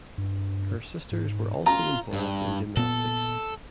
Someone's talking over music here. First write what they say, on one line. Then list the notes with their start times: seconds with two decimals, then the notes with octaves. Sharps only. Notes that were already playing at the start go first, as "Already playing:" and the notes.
Her sisters were also involved in gymnastics.
0.18 G2
1.12 G#2
1.66 F4 A#5
2.13 G2
2.77 A#2 B3 A4